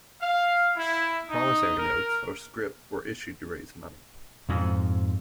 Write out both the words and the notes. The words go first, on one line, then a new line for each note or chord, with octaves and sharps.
Promissory notes, or scrip, were issued to raise money.
F5
E4
D#4
A#4
F2 G#2